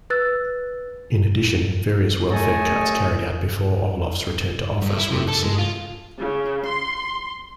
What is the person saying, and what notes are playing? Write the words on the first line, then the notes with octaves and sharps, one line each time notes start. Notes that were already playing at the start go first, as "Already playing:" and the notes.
In addition, various welfare cuts carried out before Olof's return to office were rescinded.
B4 E6 F#6 A6
F#2 A3 G#4 A4 D#5 G#5
G2
E4
C3
A4
G#3
F4
C#3
C6